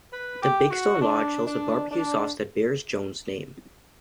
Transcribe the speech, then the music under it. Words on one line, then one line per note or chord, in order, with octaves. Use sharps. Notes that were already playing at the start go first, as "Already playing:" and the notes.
The Big Stone Lodge sells a barbecue sauce that bears Jones' name.
B4
G4
F#4
D4
D4
D4